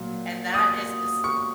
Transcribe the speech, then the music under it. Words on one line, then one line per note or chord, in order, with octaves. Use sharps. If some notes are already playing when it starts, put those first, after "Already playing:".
And that is a s
Already playing: A#2 F#3
D#6
C#6